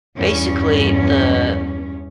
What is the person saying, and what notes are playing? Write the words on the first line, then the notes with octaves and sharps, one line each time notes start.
basically the
E2 G2 C#4